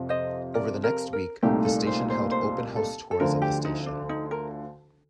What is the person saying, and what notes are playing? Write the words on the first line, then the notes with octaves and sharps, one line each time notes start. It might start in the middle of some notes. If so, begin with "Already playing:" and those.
Over the next week the station held open house tours of the station.
Already playing: F2 C3 F3
C5 D#5
A#4 D5
A#4
A#4
C2 A#2 A3 D#4 G4
A4
C5
C5
C5
A4
A4
D2 D3 F3 A#4
G4
D#4
D4
D#4
A#4